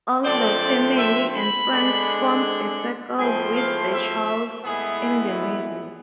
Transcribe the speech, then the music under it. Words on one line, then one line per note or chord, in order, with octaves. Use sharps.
All the family and friends form a circle with the child in the middle.
D3 F3 A3 C4 D5
E5
B5
D3 G#3 D4
G#2 F3 A3 C4 E4 G#5
F5
E5
A2 E3 G#3 B3 E4 G#4